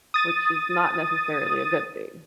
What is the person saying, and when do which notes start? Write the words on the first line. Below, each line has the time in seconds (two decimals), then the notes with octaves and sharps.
which is not necessarily a good thing.
0.14 D#6 A6 D#7